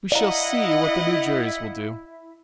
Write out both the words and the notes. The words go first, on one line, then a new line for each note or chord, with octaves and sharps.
We shall see what the new juries will do.
E4 D5 D#5 F5 F#5 A#5